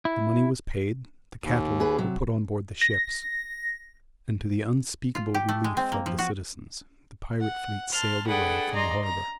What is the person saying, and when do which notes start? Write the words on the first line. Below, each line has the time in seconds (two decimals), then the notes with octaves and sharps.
The money was paid, the cattle were put on board the ships, and to the unspeakable relief of the citizens, the pirate fleet sailed away from the harbor.
0.05 E4
1.44 D#2
1.80 G#4 B4
1.98 C3 F#3
2.81 A#6
5.15 F4
5.34 G4
5.49 A3
5.64 G#3
5.77 C4
5.92 A#3
6.06 F3
6.19 F#4
7.40 F#5
7.91 A5 C6 F6
8.28 D4 G#4 A4 B4 F#5 G5
8.73 D5 D#5 A#5 C6
9.03 A#5